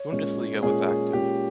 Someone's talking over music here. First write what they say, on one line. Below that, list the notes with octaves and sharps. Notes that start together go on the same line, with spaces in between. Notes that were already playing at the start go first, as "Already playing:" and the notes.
Bundesliga was active.
Already playing: C#5
A#2 G#3 C#4
A#2 G#3 C#4 G#4
G#4
A#2 G#3 C#4 G4